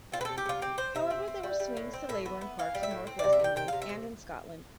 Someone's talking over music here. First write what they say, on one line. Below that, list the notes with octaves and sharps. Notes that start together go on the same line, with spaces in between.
However there were swings to Labour in parts of north-west England, and in Scotland.
C4 F4
B4
C3 A4
G4
C3 F4
C4 G4
C4 C5
C3 E5
C4
C4
G3
G3
A2
C4
A2 E5
B3
B3
E3 F5
G3
E5
A2
C4
C3 D5
E5
C3 G5
C3 G5
C3 F5
E5
C3